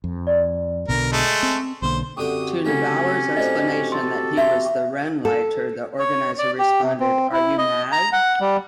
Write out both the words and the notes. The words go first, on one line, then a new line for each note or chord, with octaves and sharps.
To Neubauer's explanation that he was the "Rennleiter", the organizer responded: 'Are you mad?
F2
D5
B1 B2 D3 A#4
G#3 A3
C4
B1 D3 A#3 C5
F#2 D3 C4 F#4 G4 G5 D#6
C#3 F#3 A3 C#4
A2 F3 F#3 C5 D5 D#5
A4 C6
E5 G5 A#5 C6
A4
C#5
D5
G4
C3
C4
E4
D#5
A#5
F#5
G3